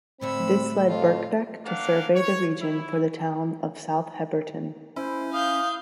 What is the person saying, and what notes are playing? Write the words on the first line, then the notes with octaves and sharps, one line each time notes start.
This led Birkbeck to survey the region for the town of South Heberton.
A2 D3 A3 C4 B5 E6
F2 F4
A#3 D4 F5 F#5
C#5
E4
C#4 E4 C5
F5 D#6 G6